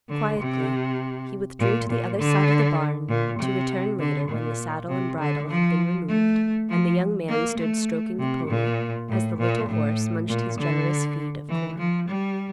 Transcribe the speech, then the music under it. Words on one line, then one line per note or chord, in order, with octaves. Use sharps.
Quietly he withdrew to the other side of the barn, to return later when the saddle and bridle had been removed, and the young man stood stroking the pony, as the little horse munched his generous feed of corn.
D3
C3
A#2
A#2
D3
A#2
C3
D3
A#2
C3
D3
F3
A3
F3
A#3
A3
C3
A#2
A2
A#2
A2
A#2
D3
E3
F3
G3